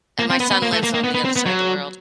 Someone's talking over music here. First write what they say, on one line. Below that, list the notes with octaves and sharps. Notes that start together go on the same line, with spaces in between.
And my son lives on the other side of the world.
A#3
C4
B3
B3
A#3
A3
A#3
A#3
B3
B3
C4
B3
F#3